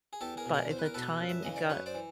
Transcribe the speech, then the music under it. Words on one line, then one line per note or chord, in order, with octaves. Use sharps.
but at the time it got
G#4
E2 G4 A4
G#4 A#4
B2
G#4 A#4
E2 C5
B4
A#4
B2 A4 B4
F#2
E5
C#3 E3 D#5
D5
F#2 B4 C#5
C5 D5
E3